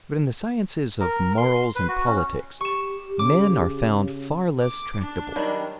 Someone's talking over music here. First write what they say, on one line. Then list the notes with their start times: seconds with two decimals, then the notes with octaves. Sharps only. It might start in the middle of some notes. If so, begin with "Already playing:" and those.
But in the sciences of morals and politics, men are found far less tractable.
1.01 A#4
1.38 C6
1.76 B4
1.88 F#4
2.06 C#4
2.61 G4 C#6 E7
3.19 C#3 D6
4.62 D6
5.02 D4
5.36 D#3 F#3 G3